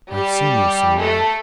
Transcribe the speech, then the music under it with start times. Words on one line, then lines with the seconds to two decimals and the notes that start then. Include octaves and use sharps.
"I have seen you somewhere."
0.12 G3 G4
1.00 A3 A4